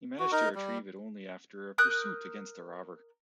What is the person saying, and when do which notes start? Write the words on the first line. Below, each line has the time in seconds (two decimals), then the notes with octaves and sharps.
He managed to retrieve it only after a pursuit against the robber.
0.19 F#4
0.32 D#4 A#4 D#5
0.55 G3
1.78 A#4 D#6 F#6 G6